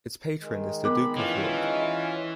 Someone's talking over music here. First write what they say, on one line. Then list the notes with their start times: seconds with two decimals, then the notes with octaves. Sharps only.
Its Patron is the Duke of York.
0.41 D#3 G#3
0.84 B3 A#4 B5 D6
1.17 E3 C#4 F4